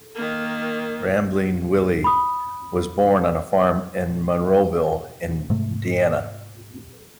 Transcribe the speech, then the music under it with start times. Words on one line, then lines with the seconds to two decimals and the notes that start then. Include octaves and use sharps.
Rambling Willie was born on a farm in Monroeville, Indiana.
0.15 D#3 A#3
2.04 B5 D#6
5.50 G#2 C3 A3